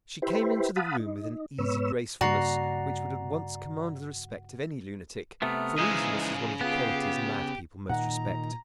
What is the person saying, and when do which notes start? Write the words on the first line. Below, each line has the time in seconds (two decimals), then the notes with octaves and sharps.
She came into the room with an easy gracefulness which would at once command the respect of any lunatic--for easiness is one of the qualities mad people most respect.
0.22 E4 G4 B4 C5
0.76 F5 F#5 A5 B5 D#6
0.99 D#4
1.58 G#2 B3 B4 C#5 E6
2.21 G2 C#3 A#3 F#4 D5 A#5 C7
5.42 C3 A3 B3 A#5 D#6 F6
5.79 C#3 E3 F3 G#3 D#4 G#4
6.61 B3 F4 G4 G#4 F5
7.89 A#2 D#3 F#5 A#5